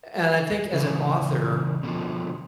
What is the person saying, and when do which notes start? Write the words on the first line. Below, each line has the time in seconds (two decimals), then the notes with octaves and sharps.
and I think as an author
0.73 C#3 E3
1.83 B2 D3 D#3 F3